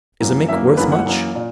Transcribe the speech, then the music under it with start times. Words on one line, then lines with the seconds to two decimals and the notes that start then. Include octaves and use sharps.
"Is a mink worth much?"
0.20 F#2 E3 A#3
0.49 F#2 E3 A#3 E5
0.77 F#2 E3 A#3 B4
0.92 F#5
1.07 F#2 E3 A#3
1.35 A#2